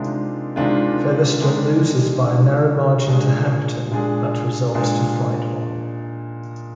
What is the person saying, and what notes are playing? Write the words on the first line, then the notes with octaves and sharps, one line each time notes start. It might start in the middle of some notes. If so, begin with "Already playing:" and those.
Featherston loses by a narrow margin to Hampton, but resolves to fight on.
Already playing: C3 D#3 G#3 D4 F4
C3 D#3 G#3 D4 F4
C3 D#3 G#3 D4 F4
C3 D#3 G#3 D4 F4
A#2 G#3 D4 G#4
A#2 G#3 D4 G#4
A#2 G#3 D4 G#4